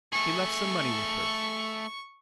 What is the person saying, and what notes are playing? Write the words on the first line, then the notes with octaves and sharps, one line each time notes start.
He left some money with her.
A3 G#4 C#6